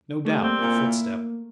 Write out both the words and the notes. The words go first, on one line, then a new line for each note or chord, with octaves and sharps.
No doubt, a footstep.
G3 A3
A#3 C4
A#2 A#3
E4